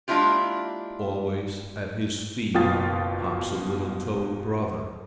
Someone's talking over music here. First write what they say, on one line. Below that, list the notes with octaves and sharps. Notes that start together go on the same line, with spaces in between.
Always at his feet hops a little toad brother.
G#3 A#3 D4 E4 F4 G4
F#1 B2 F4 G5 D#6 A6